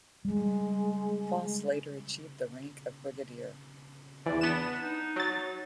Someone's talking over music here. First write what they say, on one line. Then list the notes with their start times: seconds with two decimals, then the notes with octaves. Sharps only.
Foss later achieved the rank of brigadier.
0.25 G3 G#3
4.26 E2 D5
4.41 B3 D4 E7
4.82 D#4
5.16 F#3 A6